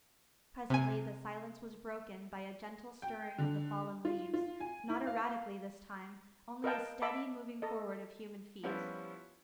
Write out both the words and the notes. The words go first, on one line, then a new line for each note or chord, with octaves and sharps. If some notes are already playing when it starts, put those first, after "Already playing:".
Presently the silence was broken by a gentle stirring of the fallen leaves, not erratically this time, only a steady moving forward of human feet.
C3 G#5
G5
D3
F4
F4
G#5
E4
F5
A#4 B4 D#5 F5 G5 A5
D#5 E5 A5 B5 D6
A4 D#5
F3 G3 B3 C#4 E4 C5